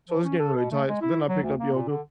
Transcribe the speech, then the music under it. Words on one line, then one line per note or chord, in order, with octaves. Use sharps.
So, it's getting really tight so, then I picked up yoga
F3
C#4
A4
B2
A3
G#3
E4
F#3
D2
A#3
A#2
D3